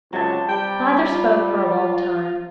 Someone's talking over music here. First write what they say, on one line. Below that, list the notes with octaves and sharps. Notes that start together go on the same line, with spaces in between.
Neither spoke for a long time.
C#2 C3 F#3 A5
G3 G5
F4